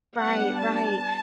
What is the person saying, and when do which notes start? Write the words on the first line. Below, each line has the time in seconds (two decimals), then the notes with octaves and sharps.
Right, right,
0.18 G3 B3 D4 F#5
0.59 A5